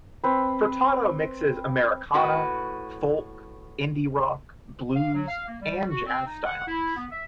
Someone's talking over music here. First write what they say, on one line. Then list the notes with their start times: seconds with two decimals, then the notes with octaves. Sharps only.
Furtado mixes Americana, folk, indie-rock, blues, and jazz styles.
0.24 C4 B4
2.14 A2 F#4 B4
4.96 F5
5.14 F#3
5.28 F5
5.47 A#3
5.62 G3
5.89 F#4
6.05 C4
6.26 D#4
6.44 F#5
6.68 E4
6.96 B3
7.11 E5